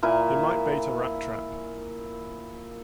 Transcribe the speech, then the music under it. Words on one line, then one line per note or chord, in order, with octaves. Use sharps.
It might bait a rat-trap.
A#2 E4 A#4 G#5